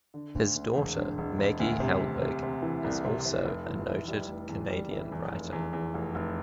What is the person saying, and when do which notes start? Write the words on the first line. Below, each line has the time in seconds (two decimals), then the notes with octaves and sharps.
His daughter, Maggie Helwig, is also a noted Canadian writer.
0.14 D3
0.35 D2
0.56 D2
0.76 E1
0.97 D3
1.18 E1
1.38 E1
1.60 D2
1.80 C3
2.01 C3
2.22 C3
2.43 C3
2.62 E3
2.84 C2
3.04 C3
3.25 C3
3.45 F1
3.66 E3
3.88 E3
4.08 G3
4.28 F1
4.49 E2
4.70 G3
4.91 E3
5.12 E2
5.32 F1
5.52 E2
5.73 E2
5.94 F1
6.15 F1